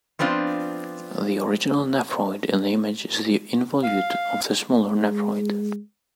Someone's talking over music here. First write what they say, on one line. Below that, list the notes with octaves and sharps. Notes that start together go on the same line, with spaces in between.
The original nephroid in the image is the involute of the smaller nephroid.
F3 B3 C4 D4 F4
F5
G#3